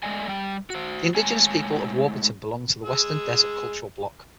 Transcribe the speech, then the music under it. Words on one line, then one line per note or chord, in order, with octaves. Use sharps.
The Indigenous people of Warburton belong to the Western Desert Cultural Bloc.
G#3 A3 D5 D#5 G#5
G3 G5
F#4 C5
A2 G#3 C#5 G#5 A5
G#3 G#4 E6